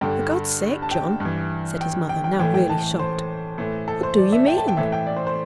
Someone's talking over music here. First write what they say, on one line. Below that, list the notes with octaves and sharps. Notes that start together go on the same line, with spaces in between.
'For God's sake, John!' said his mother, now really shocked, 'what do you mean?
G2 D3 G5
A5
G5
G2
E3
G5
G5
G5
A2 E3 G5
G5
A5
C5
A2 E3
A4
C5
D5
E5
G5
A5
G5
A2 E3 E5
G5
D5
C5
C5